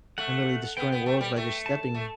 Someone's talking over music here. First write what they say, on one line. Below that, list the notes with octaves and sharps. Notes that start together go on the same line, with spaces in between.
and literally destroying worlds by just stepping.
A3 F#5
B3 G5
B3
A3
G3
A3
A5
A3